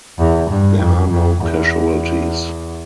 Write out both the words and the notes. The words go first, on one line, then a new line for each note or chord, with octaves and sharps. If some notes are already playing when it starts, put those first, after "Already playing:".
There are no casualties.
E2
G2
F2
F2
E2